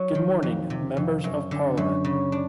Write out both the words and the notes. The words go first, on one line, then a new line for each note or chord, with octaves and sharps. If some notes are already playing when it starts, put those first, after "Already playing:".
Good morning, members of parliament.
Already playing: F#3
D#3
F2
C3
F2
F#2
D3
F#2
C#3
D4